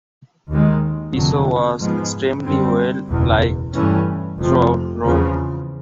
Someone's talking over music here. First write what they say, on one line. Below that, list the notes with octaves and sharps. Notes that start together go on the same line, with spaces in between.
Piso was extremely well liked throughout Rome.
D#2 D#3 G#3
F1 F2 D3 F#3
G#2 F3 G#3 B3
F#2 D3 G3 C4
F#1 E2 B2
G2 E3 A3 C#4
F1 F2 C3 F3
E2 C#3 F3